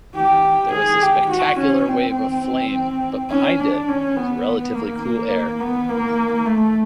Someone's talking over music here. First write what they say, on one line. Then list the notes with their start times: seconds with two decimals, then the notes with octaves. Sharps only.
There was a spectacular wave of flame but, behind it, was relatively cool air.
0.16 G4
0.73 G#4
1.01 G4
1.31 F#4
1.60 C#4
1.87 C4
2.46 C4
3.30 C#4
3.60 D4
3.89 C#4
4.16 B3
4.75 A#3
5.02 A#3
5.60 B3
5.89 A#3
6.45 A3